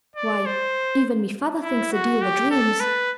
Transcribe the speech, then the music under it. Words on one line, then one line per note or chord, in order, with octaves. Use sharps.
Why, even my father thinks a deal o' dreams!
D5
C5
E4
F#4
G4
A4
B4